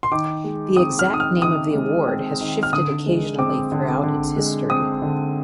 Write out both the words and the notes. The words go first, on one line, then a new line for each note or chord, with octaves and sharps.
The exact name of the award has shifted occasionally throughout its history.
C6
D#3 D6
G#3
C4 D#6
F6
D#3 D#6
F6
D#3 D#6
G#3
C4
D#3
F6
D3 D#6
G#3
C4 D6
D3
D3
G#3
C4 D#6
D3